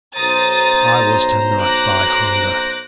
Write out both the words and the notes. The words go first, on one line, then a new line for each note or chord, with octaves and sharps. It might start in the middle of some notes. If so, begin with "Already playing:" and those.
I was to-night, by hunger.
B1 C5 A#5 D#6 A6
D6 F#6 A#6